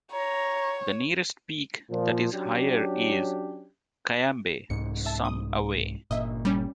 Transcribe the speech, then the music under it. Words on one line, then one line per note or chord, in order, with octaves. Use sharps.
The nearest peak that is higher is Cayambe, some away.
C#5 A#5
A#2 F3
F#3 C#4 D4 G4
C2 G#2 C#7
E5 A5
D#6
G1 A#2 D#5 E5
G3 C#4